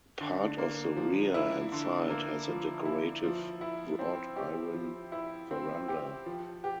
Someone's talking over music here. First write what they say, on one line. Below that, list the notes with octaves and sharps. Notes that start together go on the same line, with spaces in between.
Part of the rear and side has a decorative wrought iron verandah.
D3
A#3
F3
E4
D3
A#3
F3
E4
F3
E4
C4
G4
F3
E4
C4
G4
F3
G4